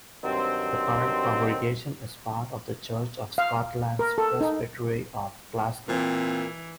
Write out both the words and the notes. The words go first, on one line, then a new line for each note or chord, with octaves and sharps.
The current congregation is part of the Church of Scotland's Presbytery of Glasgow.
G2 D#3 F#3 C4
F5
A#4
A4
D#4
A#2 E3 C4